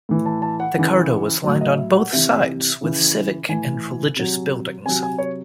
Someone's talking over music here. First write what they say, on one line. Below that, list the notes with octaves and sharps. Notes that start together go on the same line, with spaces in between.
The cardo was lined on both sides with civic and religious buildings.
A2 E3
A5
A5
F#5
C#3 E3
A2 F#3
D#5
E5
F#5
C3 E3 E5
C#3 E3
A2 E3 G#5
C3 F#3
C3 F#3 G#5
G#5
C#5